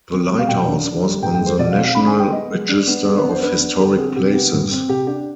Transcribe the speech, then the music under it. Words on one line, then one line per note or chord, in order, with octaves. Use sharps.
The lighthouse was on the National Register of Historic Places.
C4
G3
F5
B2 G5
D4
D4
G3
G2 G5
G5
G#3
C5
B2 D5
F5
C4
F5
D4 B5
G#5
G#3
G5
B3 D#5
G#3
D4
B3
D4 G#4
B4
B3
C5
D4 B4
B3
D3 G4
C4 G#4
C3 G4
B3
G2
C4
C3 G4
D4 G4